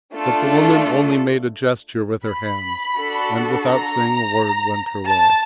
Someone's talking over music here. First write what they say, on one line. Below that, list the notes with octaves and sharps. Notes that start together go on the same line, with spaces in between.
But the woman only made a gesture with her hands, and without saying a word went her way.
A3 D4 F4 A4
B5
D4 F#4 A4
A#5
A5